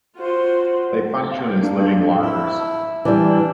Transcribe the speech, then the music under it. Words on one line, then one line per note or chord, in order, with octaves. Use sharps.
They function as living larders.
F4 F#4 C5
A#3 D4
E4 E6
E3 G3 D4